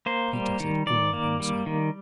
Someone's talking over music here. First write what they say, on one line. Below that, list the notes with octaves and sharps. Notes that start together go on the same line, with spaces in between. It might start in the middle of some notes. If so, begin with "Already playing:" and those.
He does it all himself.
A#3 C5
G3
D#3
D#3 D5
A#3
G3
D#3